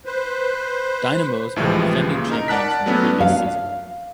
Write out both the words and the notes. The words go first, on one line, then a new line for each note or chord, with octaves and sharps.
Dynamos are the defending champions from the previous season.
B4 C5
C#2 A2 C3 E3 F3 G#3
A#2 C#3
D#4 A#4 A#5
D5 F#5 A5 F#6 B6
F#3 A3 B3 C#4 D4
F5